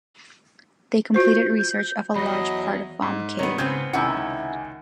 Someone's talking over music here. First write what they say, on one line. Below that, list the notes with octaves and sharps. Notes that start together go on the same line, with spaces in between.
They completed research of a large part of Vom Cave.
F4 F#4 C5 G6
E2 F#3 D#5 B5 A#6
G#2
D#3 B3 C#5
C#3 B3 C4 G6 G#6
C#2 C3 D#3 C#4 E4 F#5 G#5 C#7